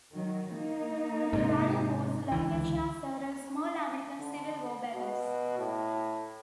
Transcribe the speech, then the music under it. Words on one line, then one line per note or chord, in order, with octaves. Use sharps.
The valley was the location of several small American Civil War battles.
D#3 F#3
A#3 D#4
G#2 C3
C#2 D3 E3
D3
B2
A2